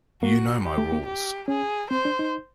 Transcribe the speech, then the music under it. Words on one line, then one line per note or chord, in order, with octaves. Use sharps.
You know my rules.
A#3 F#4
G4
A3
A#3
G4
C#4 G#4
C4 C5
D4
D#4